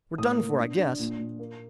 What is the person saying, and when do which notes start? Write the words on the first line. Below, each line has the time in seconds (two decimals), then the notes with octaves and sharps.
"We're done for, I guess."
0.18 A2 D#6
0.38 A#3
0.59 D4
0.79 D4
0.99 A#2
1.19 A#2
1.39 A#3